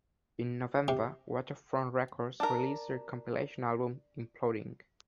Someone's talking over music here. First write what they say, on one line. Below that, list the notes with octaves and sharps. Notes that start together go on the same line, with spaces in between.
In November, Waterfront Records released their compilation album, 'Imploding'.
C3
D4 A#4